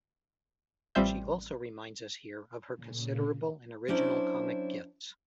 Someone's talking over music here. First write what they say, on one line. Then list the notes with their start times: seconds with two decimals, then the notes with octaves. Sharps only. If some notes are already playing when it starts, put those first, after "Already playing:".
She also reminds us here of her considerable and original comic gifts.
0.95 A1 G3 C4 F4 E5 G6
2.72 A#2 C#3
3.88 F#3 C#4 D4 E4 C5